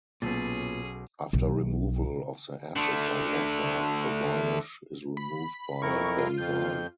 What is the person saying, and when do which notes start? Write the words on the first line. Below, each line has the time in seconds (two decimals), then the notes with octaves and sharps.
After removal of the acid by water the varnish is removed by benzine.
0.22 B1 A#2 B3 C#4 G#4 A4 A6
1.33 B1
2.76 D3 A3
5.17 B5
5.82 F2 E4 A#4 C#6
6.18 F4
6.38 F2 G6